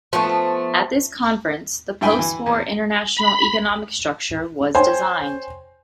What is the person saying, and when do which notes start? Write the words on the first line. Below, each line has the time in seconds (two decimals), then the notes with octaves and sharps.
At this conference the post-war international economic structure was designed.
0.13 F3 A3 B3
2.01 G2 E4 G5 G#5 B5
2.19 E3
2.46 E2
3.17 B5
4.75 C5 C#5 G5 G#5 C6